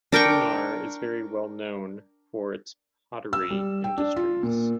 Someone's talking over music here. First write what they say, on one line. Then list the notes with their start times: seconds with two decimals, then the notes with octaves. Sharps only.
Chunar is very well known for its pottery industries.
0.12 D4 A#4 G5 C#6
3.33 E6
3.51 G3
3.84 G5
3.98 D4
4.16 F4
4.43 A#2